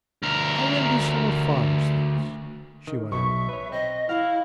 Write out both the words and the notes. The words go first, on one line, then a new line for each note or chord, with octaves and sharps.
"I'll lend you some of Father's things," she went on.
D2 A#4
D#3
B1 B2 E5 C#6
B4 C#5
C4 D#5
E4 F5